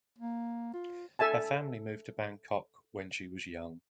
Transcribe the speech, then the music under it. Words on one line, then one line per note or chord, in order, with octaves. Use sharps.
Her family moved to Bangkok when she was young.
A#3
F4
A4 E5 G#5 A5